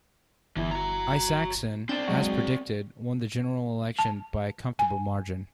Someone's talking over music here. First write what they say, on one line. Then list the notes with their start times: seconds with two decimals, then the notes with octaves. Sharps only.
Isakson, as predicted, won the general election by a comfortable margin.
0.57 G1 E2 E3 E4
0.71 F#4 A#5
1.89 C4 D4 D5 G6 E7
2.08 F#3 G#3 F#4
3.99 A5
4.79 G#5